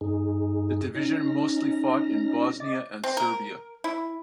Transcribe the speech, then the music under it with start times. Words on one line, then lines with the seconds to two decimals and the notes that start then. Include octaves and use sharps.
The division mostly fought in Bosnia and Serbia.
0.01 G2 D#4 G#4
0.95 C#4 D#4 F6 A#6
2.60 D#5 D6 A6
3.04 C4
3.17 A#4
3.84 E4